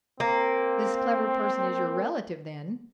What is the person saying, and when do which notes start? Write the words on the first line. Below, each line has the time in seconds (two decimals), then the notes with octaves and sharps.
"This clever person is your relative, then?"
0.20 A#3 C4